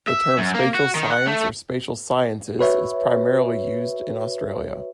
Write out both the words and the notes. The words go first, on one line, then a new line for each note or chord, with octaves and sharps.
The term spatial science or spatial sciences is primarily used in Australia.
E5
F#2
A#3
F#4
D#3
F#5
A3
F#4 B4 C#5 E5